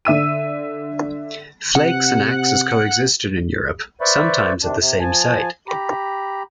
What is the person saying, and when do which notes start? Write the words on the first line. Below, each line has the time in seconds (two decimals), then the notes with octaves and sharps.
Flakes and axes coexisted in Europe, sometimes at the same site.
0.05 D3 E5 E6 D#7
1.75 C3 F#5
4.01 B4 C5 D5 E5 B5 C#6
4.63 C3 D#3 D4
4.78 C3
5.00 F3 G#5 A5
5.68 G4 A#5 B5